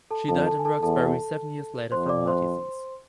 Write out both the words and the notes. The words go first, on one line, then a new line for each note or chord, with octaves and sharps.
She died in Roxbury seven years later from heart disease.
A4 A5
F2 A4 A5
A4 A5
G#5
A4 A5
E2 A4 A5
F2 C5 C6
D5 D6
C5 C6